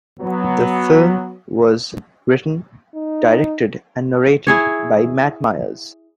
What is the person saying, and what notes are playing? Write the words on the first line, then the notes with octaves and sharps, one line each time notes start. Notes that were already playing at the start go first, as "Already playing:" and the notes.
The film was written, directed, and narrated by Matt Myers.
F#3 B3
D#4
E4 G#4 C#5